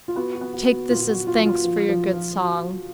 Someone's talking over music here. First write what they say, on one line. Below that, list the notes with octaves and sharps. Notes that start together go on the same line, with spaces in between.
"Take this as thanks for your good song."
F4
B3 F#4
F#4
B3
F#4
B3
F#4
A#2 F4
F4
F#4
F#3
F4
F#3
F4
F3
F3
F3
F#4